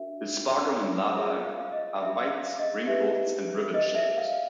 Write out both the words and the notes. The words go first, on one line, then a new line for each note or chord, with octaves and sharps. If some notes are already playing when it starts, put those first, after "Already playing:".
The sparganum larvae are white, wrinkled, and ribbon-shaped.
Already playing: D4 F#4 A#4 E5
F4 G#4 C5 E5
F5
D#5
E5
F5
D#5
D#4 G4 B4 E5
D#5
E5
F5